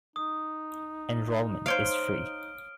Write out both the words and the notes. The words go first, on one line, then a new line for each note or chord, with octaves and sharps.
Enrollment is free.
D#4 D#6
C5 C#5 F5 F6 D7 G7